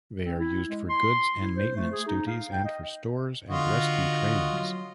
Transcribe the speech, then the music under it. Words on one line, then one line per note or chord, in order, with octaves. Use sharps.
They are used for goods and maintenance duties and for stores and rescue trains.
C4
E4
G#3
C6
E4
C5
A3
G#4
D#4
F5
G5
D#5
D3 F4 F#4 D#5
F#3